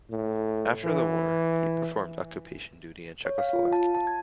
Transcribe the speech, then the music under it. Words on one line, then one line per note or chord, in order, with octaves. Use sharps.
After the war he performed occupation duty in Czechoslovakia.
A2
E3
C#5
F5
F4
A5
A5
G#6